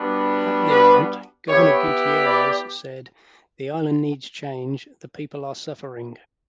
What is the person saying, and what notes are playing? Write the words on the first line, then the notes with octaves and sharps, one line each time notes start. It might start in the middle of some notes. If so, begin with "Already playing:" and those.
At the event, Governor Gutierrez said, The island needs change; the people are suffering.
Already playing: G3 B3 D4 F#4
B4
B3 E4 G4 C#5
D5